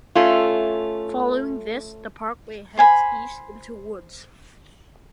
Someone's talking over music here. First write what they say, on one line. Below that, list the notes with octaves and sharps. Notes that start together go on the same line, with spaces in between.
Following this, the parkway heads east into woods.
A3 C#4 F4
C5 G#5 B5